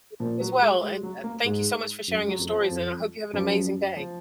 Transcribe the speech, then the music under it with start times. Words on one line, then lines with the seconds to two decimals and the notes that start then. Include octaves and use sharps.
You as well, and, uh, thank you so much for sharing your stories, and I hope you have an amazing day.
0.20 A#2 F3
0.41 F#3
0.61 G#3
0.82 G#3
1.03 F#3
1.24 A#3
1.45 G#2 G#3
2.08 F#2
2.21 G#3
2.28 F#3
2.39 F2
2.49 F3
2.70 F2
3.33 F#2 F3
3.97 F3